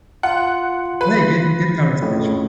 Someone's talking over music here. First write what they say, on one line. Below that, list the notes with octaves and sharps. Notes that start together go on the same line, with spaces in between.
hey, good good conversation.
F4 F#5
B4
F2 A2 C#3